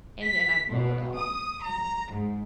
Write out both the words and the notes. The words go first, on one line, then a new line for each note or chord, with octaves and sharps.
and then I blow it off.
B6
B2
D#6
A#5
G#2